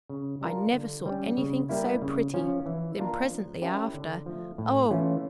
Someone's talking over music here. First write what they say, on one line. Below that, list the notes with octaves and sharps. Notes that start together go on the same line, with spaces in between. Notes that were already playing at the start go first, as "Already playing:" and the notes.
I never saw anything so pretty!' then presently after, 'Oh!
C#3
G3 D4 F4 A#4
D3
G3 C#4
C#3
G3 A#3 E4
C#3
F3 C#4 F4
E3
A#3 D4 F4 A#4
F3
C#4 E4 G4 A#4
D3
F3 A3
A2
E3 A3 C#4 F4